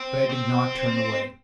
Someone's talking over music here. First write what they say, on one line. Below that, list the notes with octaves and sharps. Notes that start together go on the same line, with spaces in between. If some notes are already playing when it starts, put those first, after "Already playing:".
But I did not turn away.
Already playing: C4
C4